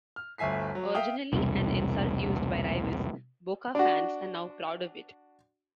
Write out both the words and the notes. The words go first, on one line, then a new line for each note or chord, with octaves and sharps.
Originally an insult used by rivals, Boca fans are now proud of it.
F6
G1 D2 E5 G#5 B6 C7
F#3
E5 F5 G5 D#6
E1 C2
D4 F#4